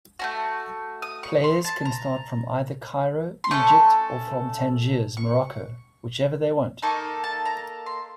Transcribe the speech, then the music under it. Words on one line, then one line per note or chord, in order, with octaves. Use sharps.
Players can start from either Cairo, Egypt or from Tangiers, Morocco, whichever they want.
A3 C#4 F#4
D#6
C#6
C6
A5
A#5
C6
A3 C#4 A4 C#6
C#6
A#3 D#4 A4 C#6
A5
A#5
C6